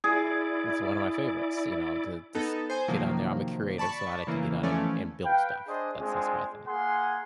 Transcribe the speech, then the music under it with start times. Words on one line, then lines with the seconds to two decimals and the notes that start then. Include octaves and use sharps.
it's one of my favorites, you know, to to s get on there, I'm a creative, so I like to get on and and build stuff, that's that's my thing,
0.04 E4 G#4 D5
2.35 B3 D#4 A4
2.70 C5 G#5
2.88 C3 D#3 F3 F#3 A#3
3.78 D5 A5 B5 C#6
4.27 C#3 E3 A#3
4.63 E3 F3 A3 C#4 D5
5.24 B4 F5 G5
5.67 D4 G#4 C5 D5 D#5
5.99 G#3 C4 D4 F4 G#4
6.67 A#3 G#4 F#5 G#5 C6